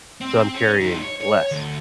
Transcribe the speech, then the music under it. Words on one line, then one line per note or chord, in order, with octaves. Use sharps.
so I'm carrying less,
C4
C#4
G3 D#4
C#5
C#5
D2